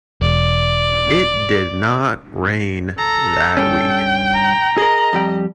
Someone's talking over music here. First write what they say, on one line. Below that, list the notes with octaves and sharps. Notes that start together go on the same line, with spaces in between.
It did not rain that week.
E1 D5
A4 A#5
G2 C#4 G5
A#5
G#4 A#4 D#5
F2 G3 G5